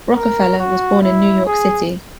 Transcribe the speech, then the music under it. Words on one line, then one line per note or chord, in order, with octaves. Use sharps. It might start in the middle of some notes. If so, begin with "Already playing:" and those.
Rockefeller was born in New York City.
A#4
F#4
E4
G#4